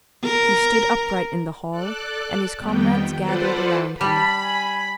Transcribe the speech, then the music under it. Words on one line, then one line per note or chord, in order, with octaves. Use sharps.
He stood upright in the hall, and his comrades gathered around him.
A#4
A4 D5 F#6
F2 D#3 G3 B3 G5
F4 A4 B4 C5 D5 F#5
G3 A5 B5
G#5